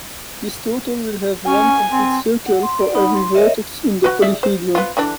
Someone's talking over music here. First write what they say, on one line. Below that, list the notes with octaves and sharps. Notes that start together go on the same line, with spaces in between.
This total will have one complete circle for every vertex in the polyhedron.
C#4 G#5
C4
F#5
C6
D5
D#4 F#5 B5
C6
A#4 C#5 D#5 E5
F#4 B4
G#4 D5 E5
C5
B3 F4
D3 E3 D4